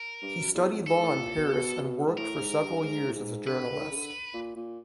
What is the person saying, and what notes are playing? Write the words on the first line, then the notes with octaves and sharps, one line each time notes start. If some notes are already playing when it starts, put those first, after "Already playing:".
He studied law in Paris and worked for several years as a journalist.
Already playing: A#4
G2
F#2
E2
F2
G#2 A4
A2
A#2
B2
B2
B2
G#2
A2 A#4
G#2
G2
G#2
A2
G#2
D3 B4
D3
D#3
C#3
D3
A#2
A#2